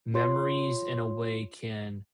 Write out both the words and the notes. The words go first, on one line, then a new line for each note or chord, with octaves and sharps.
memories in a way can
F4 G4 C#5 C6